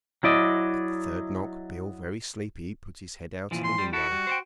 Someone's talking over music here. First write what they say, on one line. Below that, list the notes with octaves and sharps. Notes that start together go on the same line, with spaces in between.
At the third knock Beale, very sleepy, put his head out of the window.
F#3 E4 D5 D#5
A#2 E3 F3
C6
G3
E4 F#4 A4
G3
C5 D5 G5